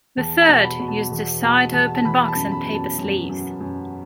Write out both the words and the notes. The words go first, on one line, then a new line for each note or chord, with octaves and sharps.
The third used a side-open box and paper sleeves.
E2 A5
A5
B2
B5
B2
A5
E2
B2 A5
E2 A5
A5
E3 B5
B5
A5
F#2
B5
F#2
A5
F#2
F#2
F#2